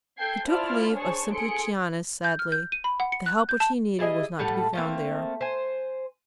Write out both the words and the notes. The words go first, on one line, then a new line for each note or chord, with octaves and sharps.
He took leave of Simplicianus sadly; the help which he needed was not to be found there.
A4 G5 G6 G#6 C7
E4 F4 C5 D5 A5 F6
D4 G#4 C5 C#5 A5 C#6
G#4 A4 C6 C#7 D7
G6
F6
G6
D#7
B5
F#5
C#7
F#6
G6
A5
G3 E4 G#4 D#5
A2 G3 A4 F#5
A3 A#3 C4
C5 G#5